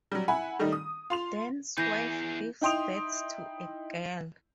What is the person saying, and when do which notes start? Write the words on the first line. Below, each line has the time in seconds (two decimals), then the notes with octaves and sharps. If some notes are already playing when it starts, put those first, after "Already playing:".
Dan's wife gives birth to a girl.
0.12 F#3 G3
0.28 E4 F#5 G#5 B5
0.59 D#3 G3 A3 D#4
0.72 D#6
1.10 F4 C6 F7
1.78 E3 B3 G#4 G6 A#6
2.61 D#4 E4 G5 C6 D#6 F7